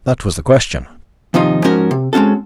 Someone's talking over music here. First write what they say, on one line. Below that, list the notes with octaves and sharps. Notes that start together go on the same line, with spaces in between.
That was the question.
D#2 C3 F3 D#4 F4
G#2 F3 C#4 F#4 A#4
C3
G#3 C4 C#4 F#4 A4